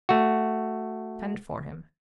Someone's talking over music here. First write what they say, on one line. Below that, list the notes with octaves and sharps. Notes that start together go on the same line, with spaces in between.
Send for him.
A3 F#4